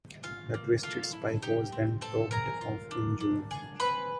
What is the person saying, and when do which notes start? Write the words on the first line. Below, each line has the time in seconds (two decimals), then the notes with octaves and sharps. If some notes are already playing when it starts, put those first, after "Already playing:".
The twisted spike was then topped off in June.
0.23 C#4 F4 F5
0.54 A#3
0.83 F4 A4 F5
1.13 E4
1.42 D#4 G4 G5
1.72 C4
2.01 C4 A4 A5
2.31 G#4 A#4 A#5
2.61 F4
2.91 D4
3.20 D4
3.51 G#4
3.80 C4 B4 B5